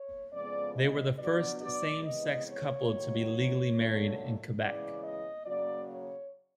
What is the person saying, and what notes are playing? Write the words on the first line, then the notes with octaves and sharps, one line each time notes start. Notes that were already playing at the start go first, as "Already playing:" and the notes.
They were the first same-sex couple to be legally married in Quebec.
Already playing: C#5
F2 C#3 F3 G#3 B3 D5
D#5
B2 F#3 B3 D4 D5
D5
C3 E3 G#3 B3 D#5
C#5
D#2 D#3 F#3
D#2 D3 F#3 A3
C#3 E3 G#3 C#4 D5
D#5
C#3 F#3 A#3 D5
C#5